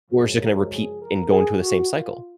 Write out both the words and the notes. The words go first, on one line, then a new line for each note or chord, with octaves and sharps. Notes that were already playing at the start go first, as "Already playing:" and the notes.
or it's ju gonna repeat and go into the same cycle.
F#2 C#3 F3 G#3 G#4
A#4
G#4
A#4
G#4
F#4
F4